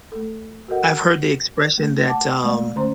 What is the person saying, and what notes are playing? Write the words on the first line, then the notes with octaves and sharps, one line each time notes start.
I've heard the expression that, um
A3 A4
F#4 A4 A#4 D#5 F#5
A3
F#5 A5 D6
G#3 A3 D5
D3 A3 C#4 C5 A#5 C6